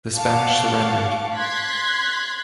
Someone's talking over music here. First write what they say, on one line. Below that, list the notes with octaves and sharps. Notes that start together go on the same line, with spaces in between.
The Spanish surrendered.
F5 F#5 A5 C#6 D6
C6 F#6 G#6 A6 B6